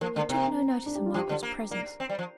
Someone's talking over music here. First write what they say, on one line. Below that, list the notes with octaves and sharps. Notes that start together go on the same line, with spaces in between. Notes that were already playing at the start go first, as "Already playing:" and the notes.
He took no notice of Margaret's presence.
F3 A#3
D3
C3 C4
D4
G4
F4
F3 G4
D3
A#3
A#3 D5
C4
G3
F3